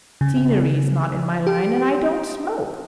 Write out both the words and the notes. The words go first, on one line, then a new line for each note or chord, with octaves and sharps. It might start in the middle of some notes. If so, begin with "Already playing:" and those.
Scenery is not in my line, and I don't smoke.
C#3
G4